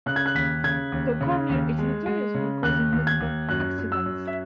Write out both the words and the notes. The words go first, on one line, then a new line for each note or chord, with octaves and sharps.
The corner is notorious for causing multiple accidents.
C#3 F#6
G#6
F#6
D#2 B6
C#3 G#6
D#2
C#3
D#2
G#3
G#3
C#3
D#2 F#6
D#2
G#6
D#2
F#2 F#6
F#2
E6
F#2
E5